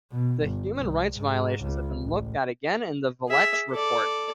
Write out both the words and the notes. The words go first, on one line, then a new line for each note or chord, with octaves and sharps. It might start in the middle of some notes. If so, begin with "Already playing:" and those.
The human rights violations have been looked at again in the Valech Report.
B2
G1
C2
G#2
C#2
A1
G#4 E5
A4 D5